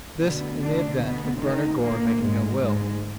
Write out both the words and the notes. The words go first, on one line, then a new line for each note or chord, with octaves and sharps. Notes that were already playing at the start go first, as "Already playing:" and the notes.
This in the event of Bernard Gore making no will.
D2 B2 D3 B3
D3 D4
B2 B3
D#3 D#4
A#2 A#3
G#2 G#3
G#2 G#3